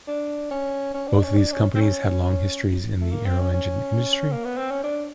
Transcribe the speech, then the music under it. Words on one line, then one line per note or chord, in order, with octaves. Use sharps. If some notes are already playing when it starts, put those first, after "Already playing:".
Both of these companies had long histories in the aero-engine industry.
D4
C#4
C#4
D4
C#4
D4
C#4
C4
C#4
C#4
A3
A#3
C4
C#4
C#4
A#3
B3
C4
C#4
D4